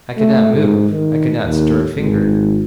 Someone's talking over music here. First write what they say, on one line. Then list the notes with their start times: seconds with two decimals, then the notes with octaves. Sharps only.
I could not move; I could not stir a finger.
0.18 A3
0.53 G#2
0.91 D#3
1.45 D#2
1.97 G#1